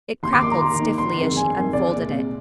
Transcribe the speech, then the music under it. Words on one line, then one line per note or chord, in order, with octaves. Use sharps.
It crackled stiffly as she unfolded it.
D#2 C6
D6
D#3 A#3 D#4 C6
A#5
D#2 C6
D#3 A#3 D#4
G1 C6
F2 D#3 G#3
G1 G#5
F2 D#3 G#3
C2 D5
A#2 G#3
C2